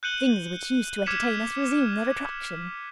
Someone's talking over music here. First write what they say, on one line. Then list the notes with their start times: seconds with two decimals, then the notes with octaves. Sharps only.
Things which used to entertain us resume their attraction.
0.03 F#6 G6 C#7 D#7 F#7 G7
1.06 D6 F6 G#6 B6 C#7 E7